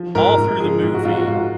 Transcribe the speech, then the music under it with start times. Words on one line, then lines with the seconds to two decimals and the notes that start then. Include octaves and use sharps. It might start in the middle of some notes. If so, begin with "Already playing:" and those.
all through the movie,
Already playing: F3
0.15 G#2 A#4
0.38 G#2
0.60 F3 G#4
0.83 G#2
0.94 F#4
1.05 G#2 F4
1.16 F#4
1.28 G#2 F4